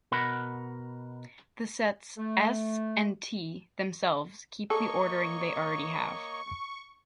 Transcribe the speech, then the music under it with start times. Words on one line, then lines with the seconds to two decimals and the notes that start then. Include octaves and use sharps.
The sets "S" and "T" themselves keep the ordering they already have.
0.12 B2 A#4 F#5 B5
2.17 A3
4.70 A#3 A4 C#5 D#5 C#6